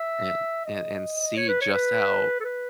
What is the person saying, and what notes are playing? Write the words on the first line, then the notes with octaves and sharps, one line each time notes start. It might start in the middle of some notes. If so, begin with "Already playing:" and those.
and and and see just how
Already playing: E5
D#5
C#5
B4
C#5
B4
A4
B4